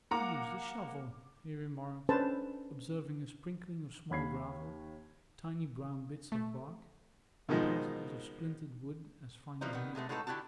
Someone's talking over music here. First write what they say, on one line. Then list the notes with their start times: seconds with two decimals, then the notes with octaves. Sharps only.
"You used a shovel," he remarked, observing a sprinkling of small gravel, tiny brown bits of bark, and particles of splintered wood as fine as needles.
0.11 A#3 F#5 A#5 D6
2.09 C#4 D4 A4 B4 C5 A5
4.11 D#2 B5 G#6 C7
6.32 A3
7.49 B2 D#3 F3 G#3
9.61 E3 F3 G3 C4 D#4
9.73 D#3 B3
9.95 C3 G#3 A3 B3
10.09 A2 G#3 D#4 F#4 A4 B4
10.27 D3 E4 F#4 G4 A5